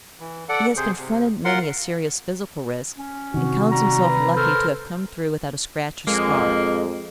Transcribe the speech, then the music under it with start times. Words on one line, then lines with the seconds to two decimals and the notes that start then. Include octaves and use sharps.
He has confronted many a serious physical risk, and counts himself lucky to have come through without a scratch or scar.
0.20 E3
0.49 A4 D5 F#5
0.77 C3 G#4 C5
0.98 C3
1.45 F4 A#4 F#5 C6
2.97 C#4
3.34 C3 D#3 F#4
3.71 G3 A#5
4.03 B4
4.36 A4 A#4 C5
6.07 F2 G#3 A#3